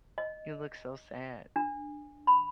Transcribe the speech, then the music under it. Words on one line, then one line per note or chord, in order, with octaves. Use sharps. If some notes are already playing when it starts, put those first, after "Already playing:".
"You look so sad.
D#5
D4
B5